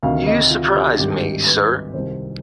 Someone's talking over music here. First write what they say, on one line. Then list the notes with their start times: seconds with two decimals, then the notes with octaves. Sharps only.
You surprise me, sir.
0.03 D2 C3 D#3 F5
0.26 D#5
0.50 F4
0.74 G4
0.99 G#1 G2 D#3 G4
1.46 B4
1.94 C2 C3 D#3 C5